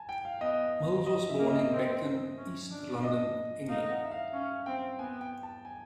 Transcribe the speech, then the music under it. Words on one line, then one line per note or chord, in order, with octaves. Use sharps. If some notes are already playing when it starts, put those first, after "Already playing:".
Mills was born in Beckton, East London, England.
Already playing: G#5 A5
G5
F5
B3 D#5
D#5
E5
A#3
D#5
C4
C#4
D4
D#5
D#4 F5
F#5
E5
F5
C#4 F5
C4 G5
B3 G#5
G5
A5
G#5